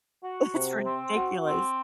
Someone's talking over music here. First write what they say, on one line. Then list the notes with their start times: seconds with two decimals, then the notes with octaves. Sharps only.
It's ridiculous.
0.24 F#4
0.54 C3
0.85 C4
1.16 F#4
1.46 C4